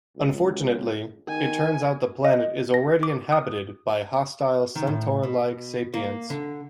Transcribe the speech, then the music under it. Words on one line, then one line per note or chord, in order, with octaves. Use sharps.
Unfortunately, it turns out the planet is already inhabited by hostile centaur-like sapients.
C#2
D#3 G#5
D#5
A#6
D6
D#6
D#3
A2
B2
A#3
D3